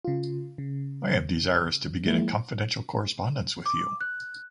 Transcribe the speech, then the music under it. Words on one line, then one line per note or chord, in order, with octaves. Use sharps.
I am desirous to begin a confidential correspondence with you.
C#3 F4
C#3
F3 G#3 A#3 E4
D6
F#6